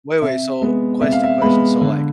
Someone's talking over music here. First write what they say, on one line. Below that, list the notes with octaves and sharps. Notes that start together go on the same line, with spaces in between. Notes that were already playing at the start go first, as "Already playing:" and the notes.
Wait, wait, so question, question, so, like
C3 E5
G#3 B3
C3 E5
F5
E5
G#3 B3 B5
D3